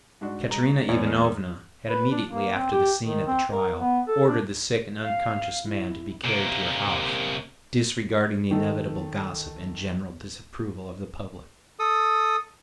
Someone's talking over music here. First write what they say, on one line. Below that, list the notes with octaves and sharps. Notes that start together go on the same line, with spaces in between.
Katerina Ivanovna had immediately after the scene at the trial ordered the sick and unconscious man to be carried to her house, disregarding the inevitable gossip and general disapproval of the public.
G#2 D4 F#4
G#3 A#5
E2 C#5 D5
G#3 F6
B4
D4
A#3
C4
G4
D#3
C4
A#4
B3
A4
D4
F5
E4
C3 A#3
D#3 A3
A4 D#6